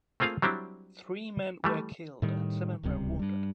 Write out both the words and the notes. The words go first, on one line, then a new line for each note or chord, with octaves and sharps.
Three men were killed and seven were wounded.
A3 A#3 C4 F4 G#4 F5
F#3 G3 C4 D4 E4
E3 G3 A3
A2 D#3 G3
D1 C#2 C3 G3
G2 G3